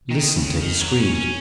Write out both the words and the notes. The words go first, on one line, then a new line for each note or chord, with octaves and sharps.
Listen to his screams!
D#3
C#3
D#3
F#3
C#4
C#4